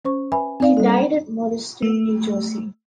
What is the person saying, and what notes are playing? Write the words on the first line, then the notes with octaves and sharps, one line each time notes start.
He died at Morristown, New Jersey.
C#4 C5 C#6
B4 E5 G#5 B5
C4 D#4 D5 F5
G3 A#3 A4
A3